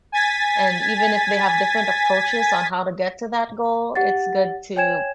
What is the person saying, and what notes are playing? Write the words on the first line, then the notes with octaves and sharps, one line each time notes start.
and even if they have different approaches on how to get to that goal, it's good to
G#5 G#6 A6 B6
G4 F#5 A6
C#5 G5 G#5 G#6 E7